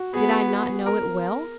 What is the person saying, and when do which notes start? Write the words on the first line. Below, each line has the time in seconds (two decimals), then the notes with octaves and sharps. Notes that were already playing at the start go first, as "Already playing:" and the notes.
Did I not know it well?
Already playing: F#4
0.14 B3 G#4
0.86 A#4